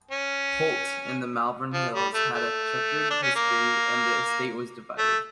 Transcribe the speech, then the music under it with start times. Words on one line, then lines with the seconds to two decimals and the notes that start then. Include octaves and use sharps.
Holt, in the Malvern Hills, had a chequered history and the estate was divided.
0.11 C#4
1.73 F3
1.94 G3
2.14 A3
2.35 A3
3.10 D4
3.23 C#4
3.36 A#3
4.98 A3